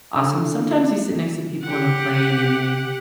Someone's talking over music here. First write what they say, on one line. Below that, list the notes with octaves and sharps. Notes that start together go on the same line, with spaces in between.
awesome. Sometimes you sit next to people on a plane, and they
D3
G4 F#5